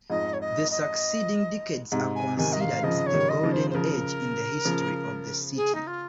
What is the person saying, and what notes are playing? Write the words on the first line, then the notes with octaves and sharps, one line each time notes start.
The succeeding decades are considered the golden age in the history of the city.
F2 G#2 D#5
C#5
D#5
D#5
G#2 C3
G#5
C3 D#3 G#5
D#5
F5
C#3 F3 D#5
C#5
D#3 G3
D#5
C#3 F3
C5
C5
C#3 F3 A#4
C#3 F3
G#4
D#4
F4